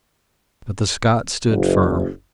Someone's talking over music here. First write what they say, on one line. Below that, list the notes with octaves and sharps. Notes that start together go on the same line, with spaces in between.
But the Scots stood firm.
F#1